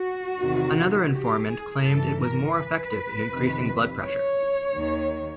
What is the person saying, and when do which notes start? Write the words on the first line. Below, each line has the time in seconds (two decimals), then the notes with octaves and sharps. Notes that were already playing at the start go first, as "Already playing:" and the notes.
Another informant claimed it was more effective in increasing blood pressure.
Already playing: F#4
0.40 E2 C3 D#3
1.13 G4
1.49 G#4
1.85 G2 E3 A4
2.21 A#4
2.57 B4
3.30 F2 C3 D#3
4.03 C#5
4.74 D#2 D#3